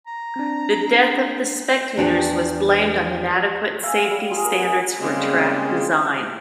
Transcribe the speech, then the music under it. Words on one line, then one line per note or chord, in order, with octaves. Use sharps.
The death of the spectators was blamed on inadequate safety standards for track design.
A#5
C4 D4
E2 D4 G4
E5 F5 G#5 A#5
F5 G5 G#5
G3
G3 F4 G#4
A#4
C#4 D#5 F#5 G#5
C#3 G3 G#3 A#3 C4